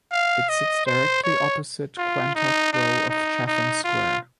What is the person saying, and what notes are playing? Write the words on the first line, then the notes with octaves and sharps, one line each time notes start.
It sits directly opposite Quantock Row of Chatham Square.
F5
D#5
C5
C#5
F4
D#4
D#4
D#4
D#4
F4